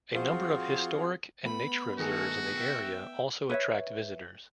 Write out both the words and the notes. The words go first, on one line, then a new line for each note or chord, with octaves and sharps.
A number of historic and nature reserves in the area also attract visitors.
F3 C4 F4 F#4 G#4
A3 B3 B5
D#3 A3 D#4 F#4 G#4 C#7
E5 G5
B4 C#5 E5